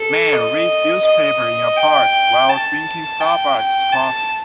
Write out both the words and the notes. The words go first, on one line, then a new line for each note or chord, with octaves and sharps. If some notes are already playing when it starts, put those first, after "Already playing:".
Man reads newspaper in a park while drinking Starbuck 's coffee.
Already playing: A4
D#5
D#5
G5
A5
G5
G5
A5